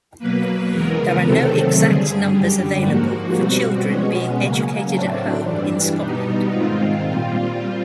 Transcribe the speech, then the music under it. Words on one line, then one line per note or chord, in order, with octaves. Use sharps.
There are no exact numbers available for children being educated at home in Scotland.
B2 F#3 A#3 B4
E2 C#3 E3 G#3 B3 A#4
C3 D#3 F#3 A3 C4 A4
G2 D3 G3 G#4
F#2 D3 G3 G4
G#2 F3 A#3 F#4
B2 G3 C4
B2 G#3 B3 C#4
C#3 F#3 A#3 C#4
A2 F#3 A3 C4 D4
G2 E3 G3 D4
B2 G3 B3 D#4
G#2 D#3 G#3 C4 F4
A#2 G3 C4